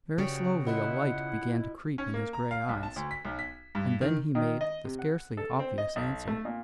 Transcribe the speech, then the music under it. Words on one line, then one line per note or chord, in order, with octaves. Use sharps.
Very slowly a light began to creep in his grey eyes, and then he made the scarcely obvious answer.
C#3 C#4 F#4 G4 D5
B2 E4 F4 E5 F#5
C#4
A#3
A#5
F5
B1
A5
D2
B6
B1
B6
G2
D#3
D#3
D#5
C3
F#5
A4
C4
D#5
B1
A3
A#2